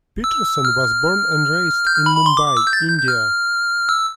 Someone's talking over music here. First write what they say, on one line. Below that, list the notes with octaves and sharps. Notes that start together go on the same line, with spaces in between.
Peterson was born and raised in Mumbai, India.
E6
F6
G6
F6
B5
B5
C6
D6
D6
E6
G6
A6
G6
G6
G6
F6
E6